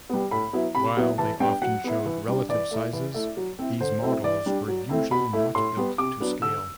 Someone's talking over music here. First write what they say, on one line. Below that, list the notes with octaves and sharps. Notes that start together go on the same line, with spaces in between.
While they often showed relative sizes, these models were usually not built to scale.
G3 B3
A2 B5
F#3 B3 E4
C3 B5
F#3 B3 E4
E3 A5
G3 B3 D4 G5
F#3 F#5
B3 E4
E3
G3 D4
E3 D5
A3 E4
E3
A3 E4
F#3
C4 E4
D3 C5
F#3 A3 C4 E4
E3 D5
G3 D4
F#3
A3 C4 E4
B2 B5
A3 E4
A2 C6
G3 B3
C3 D6
F#3 B3 D4
D3 E6